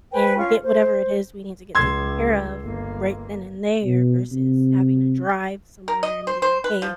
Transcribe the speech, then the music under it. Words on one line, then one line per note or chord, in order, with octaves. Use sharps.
and get whatever it is we need to get taken care of right then and there versus having to drive somewhere and be like, "Hey."
B4 C5 G5 G#5
C#4 F4 F5 C#6
C5
C#2 C6 E6 G#6
G1 A#3
B2
C3
A#4
D#5
C5
C5
B4
F3